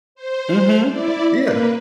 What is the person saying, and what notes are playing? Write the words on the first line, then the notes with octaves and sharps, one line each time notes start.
Mhm, yeah.
C5
E4 D5
A#3 B4